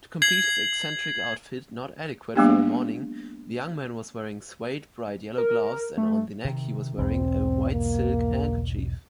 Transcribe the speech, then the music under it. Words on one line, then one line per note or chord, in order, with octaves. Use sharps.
To complete his eccentric outfit not adequate for a morning, the young man was wearing suede bright yellow gloves and on the neck he was wearing a white silk handkerchief.
G#6 C7 F#7
F#3 G#3 A#3 B3 D4 G4
A#4
A3
C3 D#3
B1 E2 G#2 C4
A#3